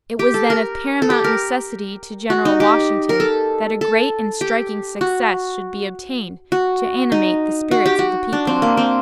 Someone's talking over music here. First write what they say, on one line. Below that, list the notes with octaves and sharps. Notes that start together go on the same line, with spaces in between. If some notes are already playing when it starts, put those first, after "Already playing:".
It was then of paramount necessity to General Washington that a great and striking success should be obtained to animate the spirits of the people.
G4
A4
A#4
A4
G4
A#4
F#4
D#4
G4
A#4
A4
A4
G4
F#4
F#4
D#4
F#4
G4
F#4
D4
C4
A#3
C4